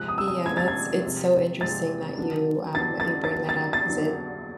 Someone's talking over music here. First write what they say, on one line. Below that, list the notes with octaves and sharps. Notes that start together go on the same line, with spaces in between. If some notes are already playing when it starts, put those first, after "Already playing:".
Yeah, that's it's so interesting that you, um, that you bring that up because it,
Already playing: C3 F3 G#3 C4 F#6
D#6
E6
D#6
C3 F3 G#3 C4 G#6
A6
G#6
C3 F3 G#3 C4
C3 F3 G#3 C4 A6
D3 F#3 B3 D4
D3 F#3 B3 D4 A6
A6
A6
D3 F#3 B3 D4
A6
A6
D3 F#3 B3 D4